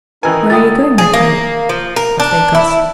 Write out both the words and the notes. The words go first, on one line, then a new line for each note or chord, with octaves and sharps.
"Where are you going, my friend?" asked Athos.
D#3 E3 D#4 A#4 B4 G#5
D3 F4 G5 B5 D#6 A6
G#4
A#3
F3
A#4
D4
E4